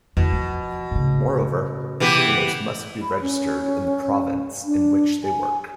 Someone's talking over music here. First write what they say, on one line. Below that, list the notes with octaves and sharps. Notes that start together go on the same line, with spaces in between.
Moreover, engineers must be registered in the province in which they work.
E2 B2 D3
F3
A2 C#3
E3 B3 G4
B5
C#4
D4
G#5